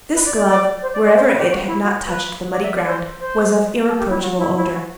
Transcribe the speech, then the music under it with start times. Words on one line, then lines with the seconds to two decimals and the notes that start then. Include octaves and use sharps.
This glove, wherever it had not touched the muddy ground, was of irreproachable odor.
0.14 B4
0.25 D5
0.36 D5
0.47 D5
0.81 C5
0.93 D5
1.04 D5
1.15 C5
1.26 B4
1.37 G4
1.50 F#4
1.66 E4
1.83 F#4
2.06 B4
2.51 D5
2.62 E5
2.74 D5
2.85 C5
3.19 C5
3.87 A4
3.98 G4
4.09 E4
4.21 F#4
4.37 E4
4.55 E4
4.71 F#4